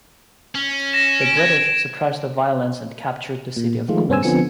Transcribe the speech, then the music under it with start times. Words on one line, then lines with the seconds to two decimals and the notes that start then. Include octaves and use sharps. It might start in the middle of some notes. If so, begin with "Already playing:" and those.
The British suppressed the violence and captured the city of Kumasi.
0.55 C#4
0.93 A#6 E7
1.21 D7
1.37 G#6 A#6 E7
3.56 A#2
3.88 D#3 F3 G#3 A3 F4
4.09 G2 B3 C#4 C5 G#5 E6
4.23 D3 F3 B3 C4 G#5 C#7